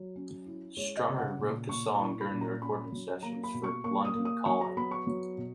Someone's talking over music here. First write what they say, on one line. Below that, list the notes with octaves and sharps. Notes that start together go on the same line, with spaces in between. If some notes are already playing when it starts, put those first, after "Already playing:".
Strummer wrote the song during the recording sessions for "London Calling".
Already playing: F#3
C#4
E4
G#3 C#5
D#5
C#3
F#5
A#2
A#2 C#6
E4 C#6
B5
A#2
A#5
C#4 B5
F#3
A#3 A#5
B5
B2
C#6
A#3 C#6
D#6
A#3
D#6
F#3 C#6
A#5
B3 B5
C#6
F#3
B2